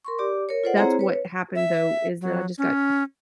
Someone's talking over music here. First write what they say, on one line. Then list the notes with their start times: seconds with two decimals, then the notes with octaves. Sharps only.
that's what happened though, is that I just got
0.05 A#4 C6 C#6
0.18 G4 D5 D6
0.49 A#4 C#5
0.64 F4 A4 C5 D5 F#5
0.77 C4 E4 G#4 C5 C#5 A#5
0.99 B4 C#5
1.55 E5
2.21 F#3
2.58 C#4